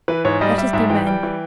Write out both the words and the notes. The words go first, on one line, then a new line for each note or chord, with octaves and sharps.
Let us be men!
E3 B4
G#2 C#5
G3 D#5
G3 E5
G#2 E5
E3 G5
G3 G5
E3